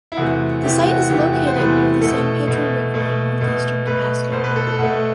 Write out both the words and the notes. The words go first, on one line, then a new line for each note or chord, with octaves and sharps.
The site is located near the San Pedro River in northeastern Tabasco.
E4
E2 C3 E3 A3 F#4
E2 C3 E3 A3 G4
F#4
E2 C3 E3 A3 G4
F#4
C5
E2 C3 E3 A3 B4
B2 A3 A4
B2 A3
B2 A3
B2 A3
B2 A3 B4
B2 A3 C5
B4
A4
A4
B2 A3 F#5